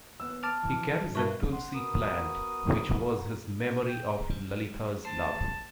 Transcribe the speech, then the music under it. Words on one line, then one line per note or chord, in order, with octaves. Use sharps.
He carries a tulsi plant which was his memory of Lalitha's love.
D#2 B3 E6
A5 D6 F6
E3 F3
G2 A#4 B4 E5 A5 C#6
F#5 C6
B3 F#4 A#4 D#6
G5
G3
D#3 A3 C5 A5